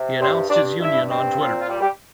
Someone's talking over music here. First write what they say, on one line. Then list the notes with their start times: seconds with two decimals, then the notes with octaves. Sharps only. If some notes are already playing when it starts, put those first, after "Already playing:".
He announced his union on Twitter.
Already playing: C3
0.20 G2 C4 C5
0.50 G2 D4 D5
0.79 G2 E4 E5
1.10 C4
1.40 A#2 F4
1.60 F4
1.69 G3
1.80 G3 G4